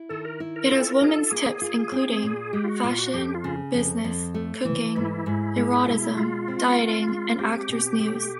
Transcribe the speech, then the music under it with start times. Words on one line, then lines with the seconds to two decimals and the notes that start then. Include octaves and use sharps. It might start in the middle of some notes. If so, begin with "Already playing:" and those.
It has women's tips including: fashion, business, cooking, erotism, dieting and actors' news.
Already playing: E4
0.09 D#3 A4
0.25 A#4
0.40 E4
0.56 A#4
0.71 F4 A4
0.91 A#4
1.01 F4 G#4
1.11 A4
1.31 A#3 G#4
1.62 F4
1.92 C4
2.23 A#2
2.53 G#3 G4
2.64 F4
2.68 F#4
2.83 A#2 F4
2.98 F#4
3.13 F2 G4
3.34 F4
3.44 C#3
3.74 F2
4.04 F2
4.34 A3
4.65 E3
4.96 G#2 E4
5.26 G#2
5.56 G#3
5.86 B2
6.17 G#3 F4
6.48 C4
6.78 C4
7.08 G#3
7.39 C4 G4
7.69 B2
7.99 A3